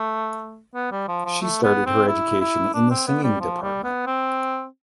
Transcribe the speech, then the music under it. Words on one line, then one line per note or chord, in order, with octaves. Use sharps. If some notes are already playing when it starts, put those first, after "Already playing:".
She started her education in the singing department.
Already playing: A3
B3
G3
F3
F3
A3
B3
C4
E4
E4
D4
C4
B3
G3
F3
G3
B3
C4